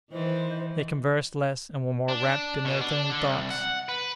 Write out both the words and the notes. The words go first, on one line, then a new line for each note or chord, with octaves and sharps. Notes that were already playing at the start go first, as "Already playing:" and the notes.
They conversed less, and were more wrapt in their own thoughts.
D#3 E3 C5 D#5
D4
B2
D4
D3
C2
F#5
B4